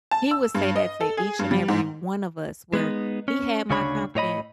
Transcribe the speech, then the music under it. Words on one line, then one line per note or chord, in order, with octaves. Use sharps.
He would say that to each and every one of us where he had my confidence
A5
E6
G2
D#5
A4
G#4
G2
G3
G#2
G#3 B3 D#4
C#4
D2 C#3 C#4 D4 C#5 B5
A2 C#5 D#5 B5